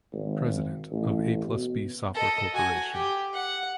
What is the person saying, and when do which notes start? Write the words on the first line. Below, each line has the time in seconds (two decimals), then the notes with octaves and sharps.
President of AplusB Software Corporation.
0.13 G#1
0.91 A1
1.47 B2
2.14 A4 D#5
2.53 F#4 G#5
2.92 G4
3.34 F#5